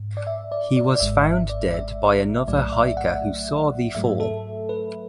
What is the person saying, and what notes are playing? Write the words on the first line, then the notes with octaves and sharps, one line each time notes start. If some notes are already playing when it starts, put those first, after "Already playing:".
He was found dead by another hiker who saw the fall.
Already playing: G#2
D5
E5
D5
D5
D5
G#1 G#2 G#3 E5
D5
E5
B1 A2 F#3 A3 D5
E5
E5
F#5
G#2 F#3 A3 E5
A4
B4